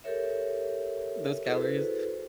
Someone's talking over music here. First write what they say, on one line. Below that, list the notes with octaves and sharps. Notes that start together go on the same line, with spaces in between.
Those calories,
G4 A4 A#4 C#5 E5
E4 F#4 G#4 A4 B4 C5